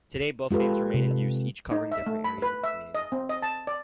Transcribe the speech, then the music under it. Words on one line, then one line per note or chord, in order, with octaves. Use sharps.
Today, both names remain in use, each covering different areas of the community.
G#3 F4 G4 A4 B4
C3
D#4
E5
A3
B5
B4
E5
D#5
C4
D#5
A5
D5